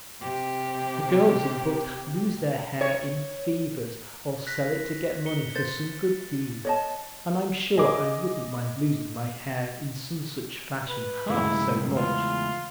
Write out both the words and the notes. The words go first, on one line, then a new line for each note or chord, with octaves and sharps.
The girls in books lose their hair in fevers or sell it to get money for some good deed, and I'm sure I wouldn't mind losing my hair in some such fashion half so much.
C3 G4
C#5
F#6 A#6 B6
C#7 G7
C5 A6
C#5 D#5 A5
G#4 D#5 D6
B4
C#2 G2 C#3 G#3 A3 E4
E2 F4